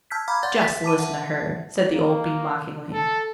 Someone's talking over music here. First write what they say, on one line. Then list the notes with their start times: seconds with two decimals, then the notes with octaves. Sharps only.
"Just listen to her!" said the old Bee mockingly.
0.10 A5 E6 F6 G6 G#6 B6
0.28 F5 A#5 B5 D6 F6 G#6
0.43 D5 F#5 C6 G6 A6
0.61 E5 B6
0.84 A5 D6 D#7
0.99 E5 F#5 A5
1.93 A#3
2.93 A4